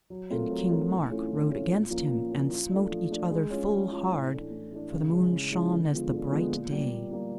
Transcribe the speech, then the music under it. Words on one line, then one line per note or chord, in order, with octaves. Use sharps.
And King Mark rode against him, and smote each other full hard, for the moon shone as the bright day.
F#3
A3 C4 F4 A#4
F#3
A3 C4 F4 A#4
A2
E3 A3 C#4 F4
A2
E3 A3 C#4 F4
A#2
F3 A#3 C#4
A#2
F3 A#3 C#4
F3
A3 D4
F3
A3 D4
G#3
C#4 F4
G#3
C#4 F4
A2
E3 A3 D4
A2
E3 A3 D4
C#3
E3 G#3 C#4 E4
C#3
E3 G#3 C#4 E4
D3
F3 G#3 B3
D3
F3 G#3 B3
A#2
G3 A#3
A#2
G3 A#3